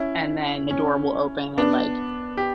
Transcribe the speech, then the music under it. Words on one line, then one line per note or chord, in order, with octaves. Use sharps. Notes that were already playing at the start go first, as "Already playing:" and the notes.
And then the door will open, and, like,
Already playing: C#4 E4
C#4
B3 D4
G4